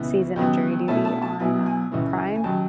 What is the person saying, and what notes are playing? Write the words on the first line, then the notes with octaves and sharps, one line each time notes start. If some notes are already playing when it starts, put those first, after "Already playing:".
season of Jury Duty on, um, Prime,
Already playing: C#2 C#3 E3 B3
D#2 C#3 F#3 B3
B2 A3 C#4 E4 A5
A5
A5
B2 F#3 B3 E4 G#5
G#5
C#2 C#3 E3
G#5
D#2 C#3 F#3 A5